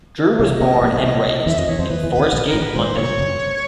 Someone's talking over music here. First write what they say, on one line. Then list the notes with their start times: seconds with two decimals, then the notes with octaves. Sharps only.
Drew was born and raised in Forest Gate, London.
0.17 A#4
0.29 B4
0.39 C2 C3 C#5
0.50 E5
0.54 D#5
0.61 A#1 A#2
0.82 A#1 A#2
0.93 B1 B2
1.03 C2 C3 D#5
1.46 E2 E3 E5
1.57 F2 F3 D#5
1.68 E2 E3 C#5
1.79 F2 F3 C5
1.90 E2 E3 B4
2.04 E2 E3
2.12 B4
2.18 D#2 D#3
2.32 A#1 A#2 B4
2.47 A#4
2.54 A1 A2
2.61 B4
2.75 G#1 G#2 C5
2.96 G1 G2 C#5
3.18 F#1 F#2